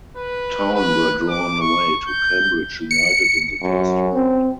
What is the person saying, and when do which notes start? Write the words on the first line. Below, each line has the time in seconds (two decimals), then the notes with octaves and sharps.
Town were drawn away to Cambridge United in the first round.
0.17 B4
0.74 B4
1.29 D6
1.60 C#6
2.07 G6
2.91 C#7
3.62 F#2
4.14 C4